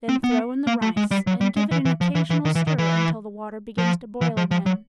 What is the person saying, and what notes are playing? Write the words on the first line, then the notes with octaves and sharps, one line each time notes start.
Then throw in the rice, and give it an occasional stir until the water begins to boil again.
C4
B3
A#3
A3
G#3
G3
F#3
G3
G#3
E3
E3
F3
E3
E3
D#3
E3
D#3
E3
F3
E3
F3
F3
F#3